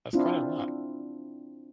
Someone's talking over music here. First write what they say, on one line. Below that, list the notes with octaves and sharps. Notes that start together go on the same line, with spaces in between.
That's quite a lot.
C4 D4 E4 F4